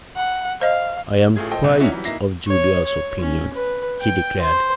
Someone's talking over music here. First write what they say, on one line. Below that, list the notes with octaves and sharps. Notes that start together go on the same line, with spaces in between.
"I am quite of Julius's opinion," he declared.
F#5
C5 D#5 F5
A1 A3 F4 G#4 G#6
A4 C5 D#5 G5
C2
C#4 D#4 E4 F#4 D5 D#5
E3 F#3 G3
D1 A#3 D#4 E4 A#6 C7
C#5
C#5
C#4
B4
G5
C5